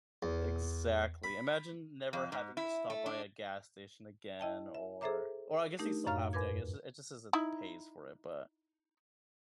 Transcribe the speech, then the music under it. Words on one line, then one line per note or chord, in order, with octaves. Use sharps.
Exactly. Imagine never having to stop by a gas station again, or or I guess you still have to, I guess it just says it pays for it, but
E2
B5
F2
G#2
E4
A3
D4
E4 D#5 G5 A5
E5
G#4 A4 C5 E5 A#5 D6
A3 D4 D#4 G4 A#4
F#2 A2 C#5 F5 A#5 F6
E2 G2 A#4 B4 D6 G#6
D#4 E4